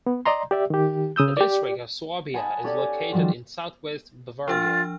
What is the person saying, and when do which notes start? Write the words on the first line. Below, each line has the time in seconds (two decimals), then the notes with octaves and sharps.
The district of Swabia is located in southwest Bavaria.
0.07 B3
0.25 D5 D#5 A#5 C6
0.51 G4 D5 E5
0.70 D#3 G4
1.16 C#3 D#6 E6 G6
1.37 G4 D5
2.34 F#5 G#5 A5 B5 D#6
2.64 C#4 G4 A4 D5 F#5 G#5
3.12 D#3 F3 G3 F#4 C5
4.48 F3 D4 F4 F6